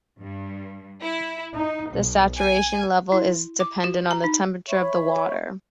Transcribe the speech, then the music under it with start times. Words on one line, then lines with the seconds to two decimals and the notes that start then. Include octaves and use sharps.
The saturation level is dependent on the temperature of the water.
0.20 G2
1.02 E4
1.54 D#4
1.93 B1
2.37 G#5
3.12 E4
3.60 D6
3.84 F#4
4.11 A#5
4.24 D#4
4.69 C#5 E5 B5 C#6